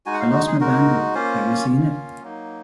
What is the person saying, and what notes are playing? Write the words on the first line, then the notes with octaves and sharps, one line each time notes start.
I lost my bangle have you seen it?
G#3 D#4 F#4 G#5
F#5
F5
F#4
G#4
G#3 D#4 F#4 A#4
A#3 C#4 F4 C5
A#3 C#4 F4
F#3 A#3 D#4